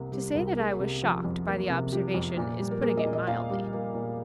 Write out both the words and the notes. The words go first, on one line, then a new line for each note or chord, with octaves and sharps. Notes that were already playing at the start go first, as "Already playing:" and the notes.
To say that I was shocked by the observation is putting it mildly.
Already playing: C2 C3 A#3
G3 G4
C2 A#4
A#3 G#4
C3 G4
F3
F2
A#3
C3
F3 G4
F2
A#2
G3
A#4
A#3 G#4
D#5
A#2
D#5
A#2 F5
G3
A#3
A#2